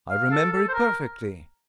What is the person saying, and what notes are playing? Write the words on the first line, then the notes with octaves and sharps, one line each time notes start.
"I remember it perfectly."
F5
A4
A4
C5
A#4